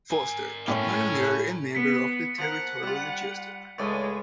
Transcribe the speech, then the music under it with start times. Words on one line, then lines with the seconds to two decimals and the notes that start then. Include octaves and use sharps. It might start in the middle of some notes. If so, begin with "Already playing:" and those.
Foster, a pioneer and member of the Territorial legislature.
0.11 A#4 G#5
0.68 A2 C#4 A4 G5
1.75 B3 B6 C#7
2.38 F3 A#4 F#5
2.83 G3 F4
3.78 C#2 A2 G#3 D5